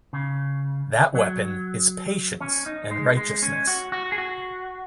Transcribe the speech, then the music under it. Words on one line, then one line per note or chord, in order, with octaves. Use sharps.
That weapon is patience and righteousness.
C#3
F#3
C#4
D#4
G#3
G#3
C#4
F#4
F#4
G#4
F#4